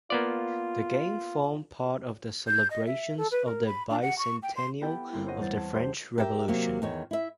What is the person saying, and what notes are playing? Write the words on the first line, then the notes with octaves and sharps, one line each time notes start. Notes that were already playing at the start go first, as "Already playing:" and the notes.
The game formed part of the celebrations of the bi-centennial of the French Revolution.
A#3 B3 F4 D5
G6
D#5
E5
A4
B4
A#4
B5
D4
F#5
C#6
G5
C6
B3 E4 G4 A4 G5
G1 A#3 C4 C#4 E4
C5 C#5 D#5 F#5
E2 C5 A6
A5 G#6
G4 C5
G4 A#4 E5 G5
C3 F#3 A#3 G4
E2 D#3 C#5
E4 E5